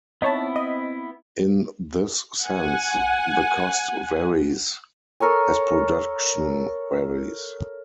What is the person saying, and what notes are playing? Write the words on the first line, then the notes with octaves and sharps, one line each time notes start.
In this sense, the cost "varies" as production varies.
B3 C4 D#4 E4 C#5 A5
D#5
F#5 G#5
A4 A#4 C#5 G#5